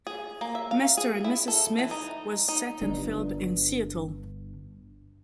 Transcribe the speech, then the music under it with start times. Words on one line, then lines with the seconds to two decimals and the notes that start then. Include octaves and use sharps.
"Mr. and Mrs. Smith" was set and filmed in Seattle.
0.07 G#4
0.41 A#3
0.55 E5
0.71 F5
0.97 G#4
1.24 E4
1.48 A4
1.79 E3
1.91 D#4
2.48 D#4
2.82 G1 G2 D4